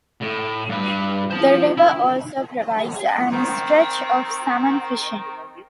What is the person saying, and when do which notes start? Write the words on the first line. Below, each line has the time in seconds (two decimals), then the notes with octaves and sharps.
The river also provides an stretch of salmon fishing.
0.21 A2
0.69 G2 B4
1.31 C5 A5
1.77 E4
3.32 D#3 C4